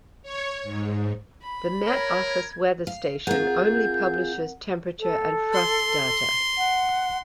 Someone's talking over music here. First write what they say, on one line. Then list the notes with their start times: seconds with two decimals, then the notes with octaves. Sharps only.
The Met Office weather station only publishes temperature and frost data.
0.22 C#5
0.63 G#2
1.42 B5
1.87 A#4 C#5 G#6
2.87 F5
3.27 C4 F4 G#4 A#4 F#5 G6
5.00 A4
5.54 C6
6.58 F#5